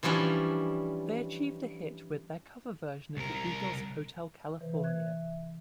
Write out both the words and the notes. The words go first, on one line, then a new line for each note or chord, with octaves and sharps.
They achieved a hit with their cover version of The Eagles' "Hotel California".
E3 F3 G3 C#4 D4
C2 A#4
C3 E3 B4 C5 E5
E5 F#6 G#6